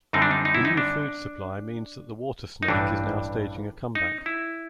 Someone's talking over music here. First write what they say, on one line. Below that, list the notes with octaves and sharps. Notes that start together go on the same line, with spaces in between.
The new food supply means that the water snake is now staging a comeback.
F#2 D3 G3 C4 D#4
D4
D#4
D#4
E4
D#4
D4
D#4
A1 G2 E3 G3 D4
D#4
E4